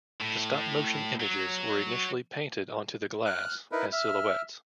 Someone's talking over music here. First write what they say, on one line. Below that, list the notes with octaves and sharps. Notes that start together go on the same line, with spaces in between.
The stop-motion images were initially painted onto the glass, as silhouettes.
A2
F#3
F6 F#6
D#4 E4 A#4 B4
E5 F6